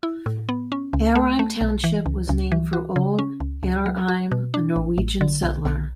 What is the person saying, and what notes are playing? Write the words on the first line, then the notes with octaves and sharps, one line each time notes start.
Hereim Township was named for Ole Hereim, a Norwegian settler.
E4
A2
B3
C#4
C#2
A3
A3
B1
E3
C#2
C#2
E3
F#4
C#3
C#4
C#2
C#2
F#3
F#4
B2
D4
A1
A1
D3
B1
B1